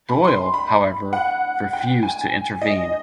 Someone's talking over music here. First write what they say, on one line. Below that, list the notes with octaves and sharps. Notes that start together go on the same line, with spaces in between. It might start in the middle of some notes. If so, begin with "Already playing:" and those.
Doyle, however, refused to intervene.
B5
C6
B5
F#5
G5
G#5
D#5